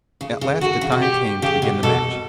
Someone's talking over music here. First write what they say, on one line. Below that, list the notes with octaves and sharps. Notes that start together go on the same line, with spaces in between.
At last the time came to begin the match.
C#3
C#3
D3 F#4
C#3
B2
G4
C#3 G4
B2
B2 A4